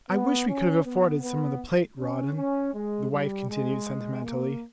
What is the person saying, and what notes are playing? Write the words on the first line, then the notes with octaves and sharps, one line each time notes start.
"I wish we could have afforded some of the plate, Rawdon," the wife continued sentimentally.
B3
C#4
B3
B3
C#4
C#4
G#3
G3
G#3
A#3